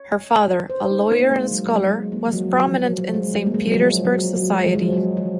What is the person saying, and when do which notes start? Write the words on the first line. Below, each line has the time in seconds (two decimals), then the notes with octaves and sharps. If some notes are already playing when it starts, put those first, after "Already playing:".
Her father, a lawyer and scholar, was prominent in Saint Petersburg society.
Already playing: C#5
0.70 C5
0.91 D#4
1.11 A#3
1.31 G#3
1.51 F#3
1.72 F#3
1.92 G#3
2.12 A#3
2.28 F3
2.33 F#3
2.53 F#3
2.68 F3
2.83 F3
2.98 F#3
3.14 G#3
3.34 G#3
3.47 A#3
3.54 G#3
3.67 F#3
3.75 F3
4.05 F#3
4.36 F#3
4.51 G#3
4.66 F3
4.75 G#3
4.82 F#3
4.93 F#3
4.97 F3
5.17 F3